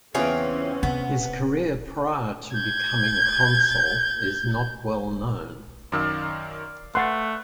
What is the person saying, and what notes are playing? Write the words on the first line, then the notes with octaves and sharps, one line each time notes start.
His career prior to becoming consul is not well known.
E2 C#3 E3 C4 C#4 F4 G#4 G5
C3 B3
G6 G#6
F#2 D#3 D5 F5 E6
A3 B4 F#5 C6 F#6 A6